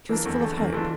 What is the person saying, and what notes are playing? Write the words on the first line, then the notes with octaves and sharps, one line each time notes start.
She was full of hope.
E3 A#3 D4
E2 A4
D3 A3
E2
E3 A3 D4 F4